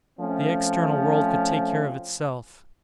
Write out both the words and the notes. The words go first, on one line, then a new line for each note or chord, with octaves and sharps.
The external world could take care of itself.
F3 A3 C4 C#4